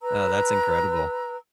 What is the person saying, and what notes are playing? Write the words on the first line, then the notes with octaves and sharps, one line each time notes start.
Oh, that's incredible.
B4 A#5 E6